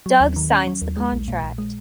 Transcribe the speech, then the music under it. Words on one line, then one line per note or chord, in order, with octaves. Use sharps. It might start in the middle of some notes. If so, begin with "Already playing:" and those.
Doug signs the contract.
F#3
D#2
D#3
C#4
F#3
D#2
G#3
A#1
A#2
A#1
G#3